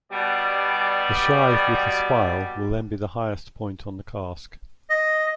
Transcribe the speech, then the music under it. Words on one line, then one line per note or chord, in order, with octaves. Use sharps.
The shive with the spile will then be the highest point on the cask.
B2 G3 D5
D#5